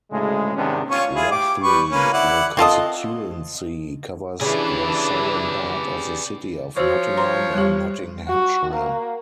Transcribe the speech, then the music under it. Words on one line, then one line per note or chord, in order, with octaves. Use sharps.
Roughly, the constituency covers the southern part of the City of Nottingham in Nottinghamshire.
D2 A2 C#3 G#3
G#2 C3 D#3 B3 C#4 D4
C#4 F4 C#6
E4 F4 G#4
G4 D6
G3 B4 C#6
A#3 C#4 B4
E4 D5 F#5
C4 F4 A4 D#5
C#3 E3 D4 G4 G#4 B4 D5
F3 F#4 C5 C#5
C5 A#5 C6
G3 G4
F#4
A#3